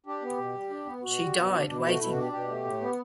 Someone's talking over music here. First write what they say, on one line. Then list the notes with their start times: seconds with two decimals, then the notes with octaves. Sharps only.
She died waiting.
0.06 D4 G4
0.22 B3
0.37 B2
0.55 G3
0.70 D4
0.86 B3
1.03 B2 F#4
1.19 G3
1.35 B2
1.51 D4
1.67 B2 D4
1.77 E4
1.83 A3
1.89 F#4
2.00 B2 E4
2.10 F#4
2.15 D4
2.21 G4
2.32 B2 G4
2.48 A3
2.64 A2
2.80 B3